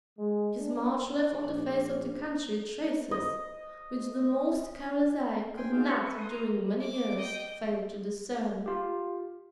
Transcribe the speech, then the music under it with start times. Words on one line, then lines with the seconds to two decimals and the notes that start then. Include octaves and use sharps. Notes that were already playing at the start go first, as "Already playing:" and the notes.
His march left on the face of the country traces which the most careless eye could not during many years fail to discern.
0.17 G#3
0.56 D4
1.44 A#1 D4
3.11 D#5
5.57 G5 G#5 C6
5.72 D#4 F#4 G#4 C5 F5
5.87 E5 C#6
6.05 A4 B4
6.18 C6 D#6
6.30 A#5
6.80 D6
7.17 D#5 G5
8.66 F4 G4